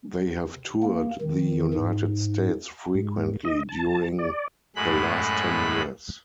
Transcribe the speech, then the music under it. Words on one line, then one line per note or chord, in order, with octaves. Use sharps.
They have toured the United States frequently during the last ten years.
A#3
D#3
G#2
G#2
D#5
A5
D5
F#2 A2 G#3 B5 F#6